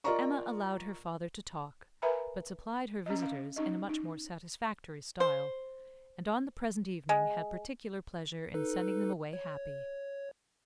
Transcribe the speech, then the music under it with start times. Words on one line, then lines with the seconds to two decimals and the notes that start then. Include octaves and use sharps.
Emma allowed her father to talk--but supplied her visitors in a much more satisfactory style, and on the present evening had particular pleasure in sending them away happy.
0.04 F4 A#4 D5 D#5 A#5 C#6
2.02 A#4 B4 E5 G#5 A#5 B5
3.06 C#4 D#5
3.19 C#4 F5
3.56 C#4 D#4 D#5
3.89 D#4
5.20 C5
7.09 G#3
8.54 D#4 A4 B4
9.33 C#5